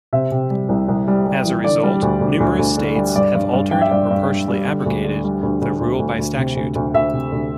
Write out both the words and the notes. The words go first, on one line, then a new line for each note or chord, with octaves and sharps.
As a result numerous states have altered or partially abrogated the rule by statute.
C3 E5
C3
G3
C2
C2
G3
G3
E3
D3 D5
G3
D2
D2
D2
D2
D3
G3
G2 D5
G2
G2
G2 G5
E5
G2 D5
G2
G2
G3
D3
D2
D3
G3
D2
D2
D2
D2
D2
C3
D2
D2
D2 E5
C3
D2